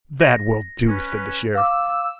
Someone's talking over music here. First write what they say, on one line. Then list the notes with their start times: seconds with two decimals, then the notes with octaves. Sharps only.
"That will do," said the Sheriff.
0.21 A#6
0.88 C#4 B4
1.55 F5 D6 E6